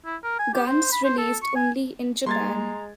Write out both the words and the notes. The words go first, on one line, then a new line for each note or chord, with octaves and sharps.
Guns released only in Japan.
E4
A#4
G#5
G4
C5
B5
C5
A4
C#6
G#5
G3 G#3 A#3 A#5 C6 G#6 A6